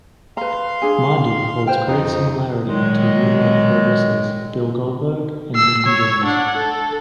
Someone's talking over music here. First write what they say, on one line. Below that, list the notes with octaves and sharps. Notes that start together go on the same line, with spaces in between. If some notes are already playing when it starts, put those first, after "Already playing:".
Marduk holds great similarity to real-life pro wrestlers, Bill Goldberg and Nathan Jones.
B4 F5 A#5 C6
D4 G#4 G#5
B4 C5 G5 F6
F2 D#4
A#2 D#3 F#3 G#3
E6 C7
C#5 E6
D4 F#5
A4